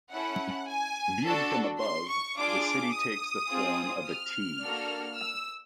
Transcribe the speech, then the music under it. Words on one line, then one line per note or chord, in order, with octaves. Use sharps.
Viewed from above, the city takes the form of a "T".
C#4 E4 A4 F#5
G#5
D4 F#4 A4 A5
C6
C#6
D4 F4 G#4 D6
D#6
C4 F4 G#4
F6
A#3 D4 F#4 A4
E6